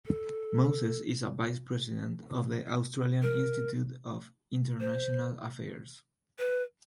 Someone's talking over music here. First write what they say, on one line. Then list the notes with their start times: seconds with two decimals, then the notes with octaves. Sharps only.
Moses is a Vice-President of the Australian Institute of International Affairs.
0.06 A4
3.22 A#4
4.80 C5
6.39 B4